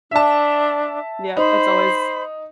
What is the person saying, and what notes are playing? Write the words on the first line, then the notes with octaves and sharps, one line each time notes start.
Yep, it's always
D4 E5 A5
D#4 C5 B5